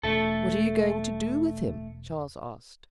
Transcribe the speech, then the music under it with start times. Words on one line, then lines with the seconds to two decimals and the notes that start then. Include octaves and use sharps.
"What are you going to do with him?" Charles asked.
0.03 E1 A3 A4